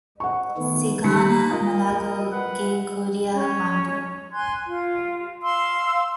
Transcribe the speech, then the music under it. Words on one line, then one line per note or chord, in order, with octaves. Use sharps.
Sighana malagho ghe ghoria w'andu.
F#5 C#6
D#3 A3 B3
D#3 G3 B5 C#7
F4 A#4 D#5
B4 F#5
C#4
G#5 C6 F#6 G#6
F4
F5 C6 E6